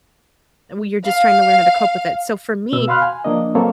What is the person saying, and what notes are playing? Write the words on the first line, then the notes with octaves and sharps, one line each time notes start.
and when you're just trying to learn how to cope with it, so for me,
F5
B2 E6
F#4 F5 B5 C6 F6 F#6
G#5
F3 A#3 D4 D#5
F#3 A#3 C4 A4 C#5